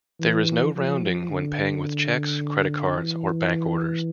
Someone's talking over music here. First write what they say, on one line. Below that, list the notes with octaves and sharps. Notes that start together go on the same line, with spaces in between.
There is no rounding when paying with cheques, credit cards or bank orders.
E3
F3
D3
E3